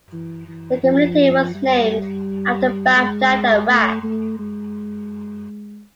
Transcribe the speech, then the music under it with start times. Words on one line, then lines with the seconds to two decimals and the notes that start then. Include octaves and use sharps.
The community was named after Baghdad, Iraq.
0.12 E3
0.48 E3
0.83 F3
1.55 G3
2.96 G#3
3.68 A3
4.03 A3
4.39 G#3